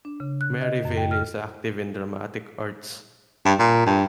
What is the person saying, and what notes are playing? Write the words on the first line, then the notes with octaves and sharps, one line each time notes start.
Merivale is active in dramatic arts.
D4
C#3
F#6
D#5
F#2
G5
F6
G2
A#2
G2